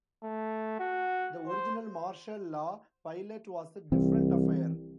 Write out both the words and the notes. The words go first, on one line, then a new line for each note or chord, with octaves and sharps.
The original "Marshall Law" pilot was a different affair.
A3
F#4
C5
C2 E3 C4